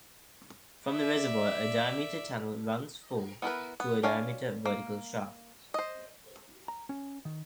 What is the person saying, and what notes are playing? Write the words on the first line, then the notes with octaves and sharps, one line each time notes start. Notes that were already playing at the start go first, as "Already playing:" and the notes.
From the reservoir, a diameter tunnel runs for to a diameter vertical shaft.
D5 E5
B3 E4 A#4 B4
B3
D4 C#5 F5 G#5
A#3
C5 D#5
A#5
C#4
D#3